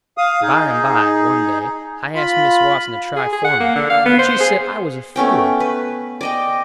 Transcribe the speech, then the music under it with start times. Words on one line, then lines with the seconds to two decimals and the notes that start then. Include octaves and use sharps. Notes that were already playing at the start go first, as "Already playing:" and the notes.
By and by, one day, I asked Miss Watson to try for me, but she said I was a fool.
0.18 F5 D#6
0.42 D#4 G#4
2.15 F4 B5
3.16 G#4
3.33 G#4
3.45 F#5
3.60 A#3
3.75 D3
3.90 F5
4.05 B3
4.19 C5
4.40 G#4
5.16 A3 B3 C#4 G5
5.60 B4
6.21 D5 D#5 G5